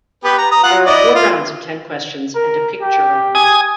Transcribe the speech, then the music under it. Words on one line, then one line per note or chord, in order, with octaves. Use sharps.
There are four rounds of ten questions, and a picture round.
B3 G4 B4
A#5
A#5 D#6
F4 F#5
E4 D5 D#5
F4
A#4
G4
G#5 D#6